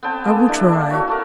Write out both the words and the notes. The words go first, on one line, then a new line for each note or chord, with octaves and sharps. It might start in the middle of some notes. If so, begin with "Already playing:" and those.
"I will try."
B3 C4 G5 A5
A#3 G#4 A4
D4 E4
F#4 C#5
E4 A4 A#4